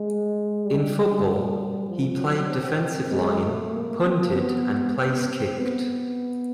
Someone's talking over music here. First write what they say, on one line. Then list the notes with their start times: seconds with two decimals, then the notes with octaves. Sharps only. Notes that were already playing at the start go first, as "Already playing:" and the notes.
In football, he played defensive line, punted and place kicked.
Already playing: G#3
0.65 G3
1.88 F3
2.19 F#3
2.50 C4
3.11 G#3
3.42 A3
3.73 A#3
4.04 C4
4.35 B3
4.97 B3
5.28 C4
5.58 B3